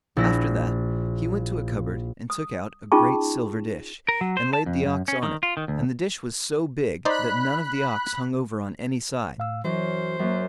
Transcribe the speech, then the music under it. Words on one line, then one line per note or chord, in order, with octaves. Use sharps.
After that, he went to a cupboard and took out a great silver dish, and laid the ox on it; and the dish was so big that none of the ox hung over on any side.
A#1 E4 A#6
D#6
C#4 D#4 F4 G#4 A5 C#6
A#4
F#3
C5
A5
F2
F#2
C#4
D#3
F4
D#3
D2
D#4 C5 D5 B5 F#6
A2 F5 E6
F#2 E3 C5
F#2 A#3